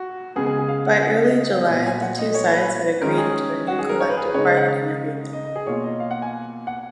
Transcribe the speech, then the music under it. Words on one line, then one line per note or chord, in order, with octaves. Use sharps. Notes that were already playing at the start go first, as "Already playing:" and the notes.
By early July, the two sides had agreed to a new collective bargaining agreement.
Already playing: F#4
C#3 G#3 B3 G#4
G#4
G#4
F5
F#5
F#5
F5
D#5
F5
D#5
A#2 F#3 B3 F5
G#5
F#5
D#5
C#5
B4
D#3 G#3 C#4 A#4
G#4
F#4
G#4
A#4
C#5
B4
G#4
B4
C#3 G#3 D#4 C#5
D#5
F#5
F5
D#5
D#5
G#4
B2 A#3 F4 C#5
D#5
F5
F#5
G#5
F#5